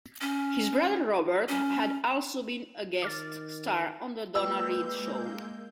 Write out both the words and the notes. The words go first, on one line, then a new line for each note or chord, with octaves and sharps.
His brother Robert had also been a guest star on "The Donna Reed Show".
C#4
C#4
D#3 D6 F6 A6
G#3 A#3 F4 B4 D5 G5 E6 G6